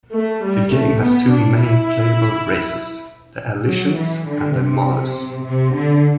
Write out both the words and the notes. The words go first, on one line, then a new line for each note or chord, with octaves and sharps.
The game has two main playable races: the Alyssians and the Malus.
A3
G3
A3
B3
D4
E4
F#3
E3
D3
C3
C3
D3